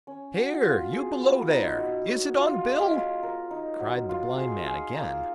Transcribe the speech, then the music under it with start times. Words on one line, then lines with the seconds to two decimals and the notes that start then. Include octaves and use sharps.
"Here, you below there, is it on Bill?" cried the blind man again.
0.07 C#4
0.35 F#4
0.64 F4
0.92 G#4
1.22 B3
1.50 D#4
1.78 F#4
2.08 C#5
2.36 F4
2.64 G#3
2.94 F4
3.23 A#4
3.51 D#4
3.80 F#3
4.09 F4
4.37 G#4
4.66 G#4
4.94 A#3